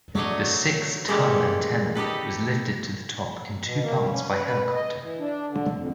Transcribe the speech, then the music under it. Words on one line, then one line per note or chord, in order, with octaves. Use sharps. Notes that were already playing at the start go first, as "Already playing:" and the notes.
The six-ton antenna was lifted to the top in two parts by helicopter.
F#3 A3 D4 C#5 D#5
A#2 E3 G#3 C#4 G4 A4
D#4 G4 A4 B4
B2
A#3
G3
C#4
B4
B4
D#5
E3
D4
D3
F2